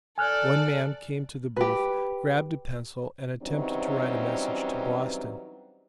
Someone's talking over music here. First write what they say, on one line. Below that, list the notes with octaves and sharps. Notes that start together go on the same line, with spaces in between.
One man came to the booth, grabbed a pencil, and attempted to write a message to Boston.
A4 D5 G#5 F6 F#6
G4 B4
E3 F#3 G3 C4 C#4 D#4